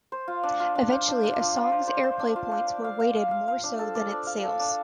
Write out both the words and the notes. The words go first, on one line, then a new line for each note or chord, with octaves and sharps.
Eventually, a song's airplay points were weighted more so than its sales.
C5
F4
D4
F4
D4
C5
D4
D4
F4
F4
C5
C5
C5
D4
F4
D4
D5
F5
F5
F5
F5
F5
D4
A4
D5
D4
F5
A4
D4